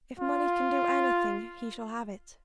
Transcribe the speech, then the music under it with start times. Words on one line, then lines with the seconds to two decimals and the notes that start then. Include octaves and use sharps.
"If money can do anything, he shall have it."
0.19 F4